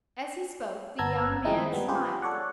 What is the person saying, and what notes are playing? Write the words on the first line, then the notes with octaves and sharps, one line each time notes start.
As he spoke the young man smiled.
G1 B3 A5 A#5 E6 G#6
D#3 F3 G#3 C4 D#4 E4
G3 G#3 B3
F4 G4 G#4 B4 C5
A4 C#5 D5 F#5